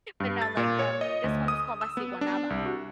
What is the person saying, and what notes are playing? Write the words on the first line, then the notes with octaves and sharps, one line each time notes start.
but not, like, um this one was called La Siguanaba.
G2
A6
A#2
C#5
D#5
D2
D#6
E6
B3
D4
C2
F#4